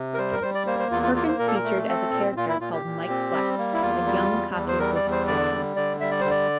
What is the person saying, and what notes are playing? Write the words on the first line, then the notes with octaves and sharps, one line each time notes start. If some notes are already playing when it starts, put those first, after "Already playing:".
Perkins featured as a character called Mike Flex, a young cocky disc jockey.
Already playing: C3
A#4
G3 C5
A#4
G3 C5
D5
A#3 C5
C5
E2 F4
F4
A#3 F4
C5
A#2 A#4
A4
A#4
A3
C4 A4
A#2
A#2 F4
E4
A#2 F4
G4
A#2
C4
G3
A#3
E4
E2 F4
G3
E2
E2
C5
G3 A#4
D5
E2
C5
D3 D5
G3
D3 D5
G3 E5
D5
D3 C5
D5